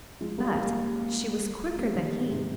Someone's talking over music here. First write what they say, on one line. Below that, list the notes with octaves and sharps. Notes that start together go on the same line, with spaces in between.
But she was quicker than he.
F3 G#3
G3 A#3
G3 A#3
G3 A#3
D#3 G3
G#2 C3